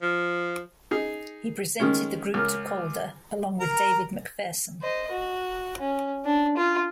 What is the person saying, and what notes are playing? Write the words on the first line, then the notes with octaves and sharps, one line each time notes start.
He presented the group to Calder along with David McPherson.
F3
D#4 G#4
D#3 G#3 C#4
C#2 A#4
A#4 A#5
C5 D#5
F#4
C#4
D4
F4